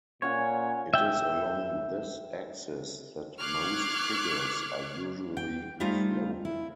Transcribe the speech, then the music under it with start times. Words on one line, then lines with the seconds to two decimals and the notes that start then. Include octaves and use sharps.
It is along this axis that most figures are usually flown.
0.22 A#2 C#4 C#5 F#5 G#5
0.94 E5 G5
3.39 C#6 D6 F6 F#6 G#6 C7
5.37 G5
5.80 G3 A3 D#4 F4 C5
6.45 E4